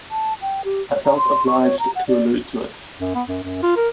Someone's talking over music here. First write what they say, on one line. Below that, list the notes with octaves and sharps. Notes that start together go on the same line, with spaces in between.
I felt obliged to allude to it.
A5
G5
G4
C#5
A#5
C6
C#6
C#5
A#5
F#5
D5
F#2
B3
F#2
F#2
F4
A#4